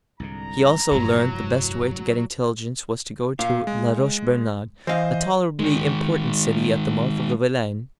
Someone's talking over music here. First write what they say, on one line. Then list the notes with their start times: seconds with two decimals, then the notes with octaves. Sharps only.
He also learnt the best way to get intelligence was to go to La Roche-Bernard, a tolerably important city at the mouth of the Vilaine.
0.20 C2 G#2 D3 A#5
0.91 F1 G2 E3 F#3 F4
3.39 A#2 F5
3.67 G#3
4.87 E3 C5 D#5 F5
5.59 D#3 G#3